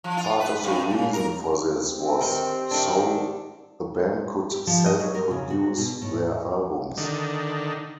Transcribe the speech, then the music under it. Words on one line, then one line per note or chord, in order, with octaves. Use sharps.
Part of the reason for this was so the band could self-produce their albums.
F3
F4
B4
G2
C#3
A#4
C4
D#3 G4
D#3 D4
G4
F3
D#5
F#3
A#4
C#3
F#4
B2
A2
D3 D#3